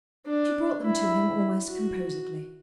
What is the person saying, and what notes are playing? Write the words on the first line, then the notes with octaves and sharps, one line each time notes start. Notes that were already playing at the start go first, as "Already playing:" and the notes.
She brought them to him almost composedly.
D4
E4
F#4